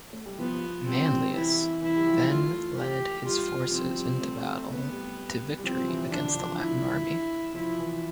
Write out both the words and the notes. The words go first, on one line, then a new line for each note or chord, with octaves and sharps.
Manlius then led his forces into battle to victory against the Latin army.
A3
G3
F3 B3
G3 C4
G3
E3 E4
E3 E4
G3
F3
A3 F4
G4
G3 F4
G3
G3
F3 C4
G3
A3
A3
A3 B3
G3
G3
F3 C4
E3
D3 D4
D3
F3
E4
F3 E4
E3